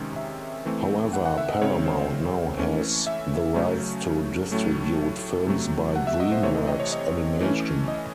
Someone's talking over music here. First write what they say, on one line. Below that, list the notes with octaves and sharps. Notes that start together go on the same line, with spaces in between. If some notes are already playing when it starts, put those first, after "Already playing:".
However, Paramount now has the rights to distribute films by DreamWorks Animation.
Already playing: C3 D#3 G#3 C#4
E5
E3 A3 C4
F#5
F#5
E5
D#5
C#3 G#3 C4 C#5
C5
E3 A3 C#4
E5
C#3 F#3 A3 C#4
A2 F#3 A3 C#4
C3 F#3 A3
F#5
E5
D#5
C5
C3 E3 A3 C4 C#5
D#5
D#5
C#5
D#5
E3 A3 C#4
D#5